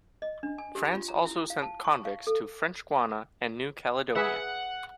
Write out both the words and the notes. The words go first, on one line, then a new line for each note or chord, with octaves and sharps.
France also sent convicts to French Guiana and New Caledonia.
D#5
D4
G#5
G4
F4
A#5
E4
F5
A5
C#6
F5
A4
G#4 B4 E5 F#5